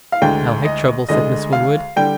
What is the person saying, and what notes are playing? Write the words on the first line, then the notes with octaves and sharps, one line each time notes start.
"I like trouble," said Miss Winwood.
F5
D2 D3 G#3 G5
D#5
D2 D3 G#3 D#5
F5
D3 G3 G5